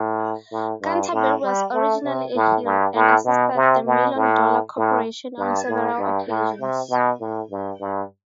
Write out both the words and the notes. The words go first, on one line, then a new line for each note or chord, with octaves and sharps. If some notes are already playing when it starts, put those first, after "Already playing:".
Canterbury was originally a heel, and assisted the Million Dollar Corporation on several occasions.
Already playing: A2
A2
G2
A2
G3
A3
C3
A2
G2
A2
B2
C3
B2
A2
A2
G2
A2
G2
A2
C3
B2
A2
G2
G2